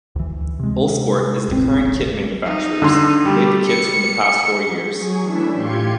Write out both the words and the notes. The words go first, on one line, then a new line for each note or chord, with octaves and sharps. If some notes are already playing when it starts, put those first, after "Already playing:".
Uhlsport is the current kit manufacturers, made the kits from past four years.
D2 E3
C3 G#3
D#1 A1 C4
D#4
D3 C6
G3 A3 G4
C#7
F#3 G#4 C#6
E3 A3 C#4 D4 E4 E5
A2 F4 G4 C6 G#6 C#7